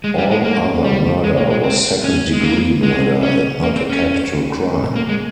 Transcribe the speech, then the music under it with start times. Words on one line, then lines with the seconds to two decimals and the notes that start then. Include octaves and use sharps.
All other murder was second-degree murder, and not a capital crime.
0.04 G#3
0.18 G3
0.31 G#3
0.44 A#3
0.84 G3
1.24 G#3
1.37 A#3
1.50 G#3
1.64 C4
2.04 C#4
2.33 G#3
2.44 A#3
2.83 G#3
3.23 C#4
3.63 A#3
3.76 C4
3.90 C#4
4.96 A#3
5.09 G#3